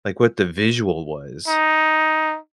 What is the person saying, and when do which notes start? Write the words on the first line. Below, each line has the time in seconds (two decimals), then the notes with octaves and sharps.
like, what the visual was.
1.48 D#4